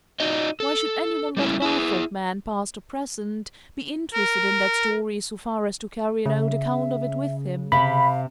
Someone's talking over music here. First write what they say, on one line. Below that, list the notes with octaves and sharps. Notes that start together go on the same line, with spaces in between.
Why should any one but a Barthorpe man, past or present, be interested in that story so far as to carry an old account of it with him?
D#4 F#4 D5 D#5
A4
G3 A3 C#4 E4
E4 G#4
A#4
C#3 E5
C3 F5 B5